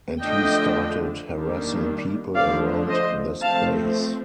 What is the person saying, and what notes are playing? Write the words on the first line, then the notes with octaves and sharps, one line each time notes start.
And he started harassing people around this place.
D3 F3 A3 D4 D#5 G5
D#3 G3 A#3 D4
D3 F3 A3 D4 D5 F5
C5 D#5
F3 A3 C4 F5 A5